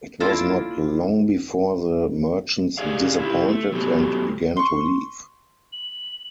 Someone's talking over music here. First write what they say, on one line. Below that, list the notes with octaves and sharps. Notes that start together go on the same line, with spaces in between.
It was not long before the merchants disappointed and began to leave.
A#3 D4 E4 F4 A4
G4 G#4 D5 F5
E4 F4 G4
A3
F#3 B3 G4 A4
C6 C#6
F#7